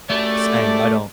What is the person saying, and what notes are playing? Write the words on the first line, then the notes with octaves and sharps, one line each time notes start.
Saying I don't
F#2 A3 G4 D5